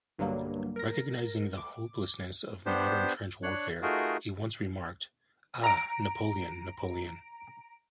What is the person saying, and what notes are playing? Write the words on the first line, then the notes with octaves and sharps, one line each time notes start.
Recognizing the hopelessness of modern trench warfare, he once remarked: Ah, Napoleon, Napoleon.
B1 G2 D3 F#3 G3 A#3
A#4 A#6
D6
B3 D4 G4 C5
D4 C#5 F#6
A3 D#4 F4 F#4 G#4 A#4
A#5 D7